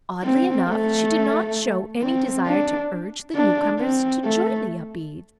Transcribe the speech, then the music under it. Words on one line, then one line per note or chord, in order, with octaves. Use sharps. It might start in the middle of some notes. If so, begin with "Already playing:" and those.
Oddly enough, she did not show any desire to urge the newcomers to join the Upedes.
C4
A3
C4
D4
D4
C4
A3